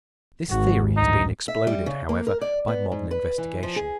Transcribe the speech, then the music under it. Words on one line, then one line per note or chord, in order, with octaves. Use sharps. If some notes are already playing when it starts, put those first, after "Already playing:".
This theory has been exploded, however, by modern investigation.
G#1 F#4
A1 D2 G2 D#4
E5
G3
C#3
A#3
A#4
D5
B3
G#2
B4
E3
F3
G#4